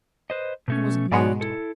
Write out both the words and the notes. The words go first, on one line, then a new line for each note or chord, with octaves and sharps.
"I wasn't mad."
B4 C5 D#5
B2 A3 C#4
G#2 B2 G#3 F#4 C#5 D5
E4 A4